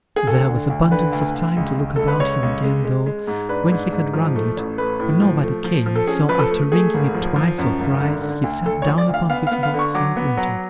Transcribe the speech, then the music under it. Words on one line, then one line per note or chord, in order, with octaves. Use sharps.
There was abundance of time to look about him again though, when he had rung it, for nobody came, so after ringing it twice or thrice he sat down upon his box, and waited.
G#4
D2 A4
D3
D2
D3 B4
D2
D2
C#2
C#2
C#2 A4
B4
C#2 C#5
C#2
G#3
G#3
G#3
G#2
D4 B4
G#2
G#2
F3
A3
A1
A3 B4
A2
F3
A3
F3
F3
A4
C#4 G#4
F3 B4
A4
A3
A3 G#4
G#1
F3
F3
F#2
G#1
D3
D3
D2
D2 A4
C#5
F3
D5
D2
F5
B3 F5
F5
B3
F5
D3
C#6
F#3 D6
B3
F#3